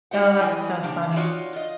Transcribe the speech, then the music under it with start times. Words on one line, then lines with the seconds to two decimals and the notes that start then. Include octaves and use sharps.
Oh, that's so funny.
0.11 D#4 F#4 G4 C#5 F#5
0.40 E2 E3 G#3 G#5
0.83 A#2 C#3 A#3 D4 G4
1.16 D#4 F4 F#4 C#5 D5
1.53 F4 D#5